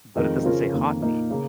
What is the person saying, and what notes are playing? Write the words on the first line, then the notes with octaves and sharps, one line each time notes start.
But it doesn't say, "hot meat."
F2 D#3 G#3 D#4 A#4
C#3 F3 C#4 F4 A#4
F2 D#3 A#3
A#2 A#3 D#4
C#3 A#3